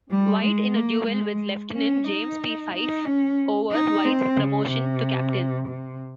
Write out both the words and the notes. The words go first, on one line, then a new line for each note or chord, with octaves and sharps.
White in a duel with Lieutenant James P. Fyffe over White's promotion to captain.
G3
G#3
A#3
G#3
C#4
D#4
D#4
C#4
D#4
C4
C#3
C3
C3